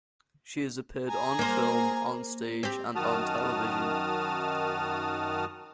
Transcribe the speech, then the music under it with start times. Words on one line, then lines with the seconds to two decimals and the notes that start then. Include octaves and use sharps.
She has appeared on film, on stage and on television.
1.08 G#4 G#5 A#5
1.39 A#3 C5
2.63 C4 G4
2.95 F#2 D#3 F#4 A5 D#6 F6